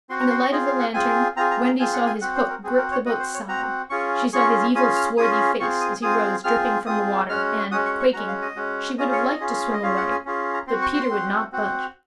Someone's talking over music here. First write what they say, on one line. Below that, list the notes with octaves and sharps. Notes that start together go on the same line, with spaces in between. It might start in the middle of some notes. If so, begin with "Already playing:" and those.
In the light of the lantern Wendy saw his hook grip the boat's side; she saw his evil swarthy face as he rose dripping from the water, and, quaking, she would have liked to swim away, but Peter would not budge.
C4 F#4 C6
A#5
C6
C#6
C4 F4 G#4 D#5
F5
F#5
C4 F4 G#4 G#5
C4 F4 G#4 A#5
A#5
A#5
C4 F4 G#4 G#5
F#5
G#5
C4 F#4 F#5
C5
A#4
C4 F#4 G#4
A#4
C#5
C4 F#4 D#5
C5
C#5
C4 F#4 A#5
C#4 F4 G#4 C#6
C#4 F4 G#4 C#6
C#4 F4 G#4 D#6
F6
C#4 F4 G#4 D#6
C4 F4 G#4 C#6
D#6
C4 F4 G#4 D#6
C4 F4 G#4 F6
C4 F4 G#4 D#6
G#3 C#4 F#4 F6
G#3 C#4 F#4 D#6
C#6
C#6
G#3 C#4 F#4 A#5
F5
D#5
G#3 C#4 F#4
C#4 F4 G#4 D#5
C#5
D#5
C#4 F4 G#4
D#5
C#4 F4 G#4 F5
F#5
G#5
C#4 F4 G#4
A#5
C4 F#4 C6
C#6
C6
C4 F#4
C4 F#4